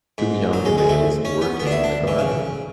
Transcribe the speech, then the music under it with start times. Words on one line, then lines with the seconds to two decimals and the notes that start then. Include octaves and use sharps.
Two young males working in a garden.
0.18 G#2
0.53 F#3
0.65 G#3
0.78 G#3
0.89 A3
1.25 C#4
1.41 B3
1.59 B3
1.67 D4
1.71 E4
1.84 D4
2.07 E3
2.18 C#3